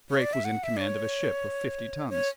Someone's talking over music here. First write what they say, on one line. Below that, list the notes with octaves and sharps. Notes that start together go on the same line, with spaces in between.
Drake was in command of a ship of fifty tons.
C#5
D5
E5
F#5
E5
D5
C#5
C#5